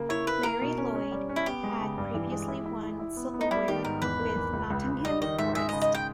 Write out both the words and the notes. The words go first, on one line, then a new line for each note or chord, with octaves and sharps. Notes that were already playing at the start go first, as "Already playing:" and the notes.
Larry Lloyd had previously won silverware with Nottingham Forest.
Already playing: C#3 A#3
E4 C#5
A#3 B4
A#3 A#4
B2
C#4
C#4
G3
C#4
E4
B3 G4
G#3
C#3
G2
E3
G#3
E4
E4
E4
E4
B3
B3
D#4
G3 E4
D#3 G4
G#2 A#4
E2 B4
A#3
E2
C#2
C#2
C#2
G3 D#5
D#3 D#5
G#2 E5
G#3 E5
D#5
C#3
D#5
G5